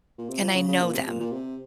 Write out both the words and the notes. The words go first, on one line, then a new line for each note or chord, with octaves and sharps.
and I know them,
A#2
C3
F3
C#3
C#3
A#2
C3
A#2
A#2
C3